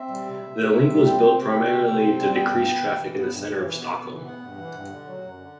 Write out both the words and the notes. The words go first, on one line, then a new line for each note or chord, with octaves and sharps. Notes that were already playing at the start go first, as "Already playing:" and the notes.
The link was built primarily to decrease traffic in the centre of Stockholm.
Already playing: C4 E5
G3
C3
C3
C3
C3
G3
C4 G5
C4
C3 G5
C3
C3
C3
C4
G3
B3 G5
G2
B3
E3
E3
B3
G2
G2
E3
B3
B3
E3
B3 F#5
G2
E3
G2
D3
F#3
F#2
D3